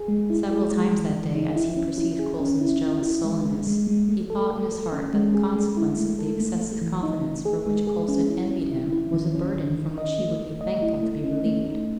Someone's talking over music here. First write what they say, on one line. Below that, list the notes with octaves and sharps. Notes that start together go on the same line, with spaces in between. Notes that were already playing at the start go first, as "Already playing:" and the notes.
Several times that day, as he perceived Coulson's jealous sullenness, he thought in his heart that the consequence of the excessive confidence for which Coulson envied him was a burden from which he would be thankful to be relieved.
Already playing: G#4
G#3
E4
G#4
G#3
E3
E3
D#4
E4
C#4
E4
G#4
C#4
E4
E4
E4
G#3
G#3
G#3
G#3
A3
A4
A4
A4
C#4
G#3
G#4
G#3
E4
A3
A4
A3
A3
E3
D#4
D#4
G#4
G#3
G#4
C#4
E4
C#4
E4
E4
D#3
C#4
D#3
D#3
D#5
A3
A3
D#5
E4
A3
C#4
A3
D#4